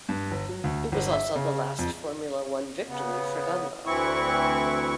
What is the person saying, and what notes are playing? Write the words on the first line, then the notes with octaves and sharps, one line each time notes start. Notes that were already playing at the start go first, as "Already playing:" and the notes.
It was also the last Formula One victory for Dunlop.
G2
G1
F#3
D2
G1
E5
C#3
F2
C#3 B3
D2 E3 C4 E4 C#6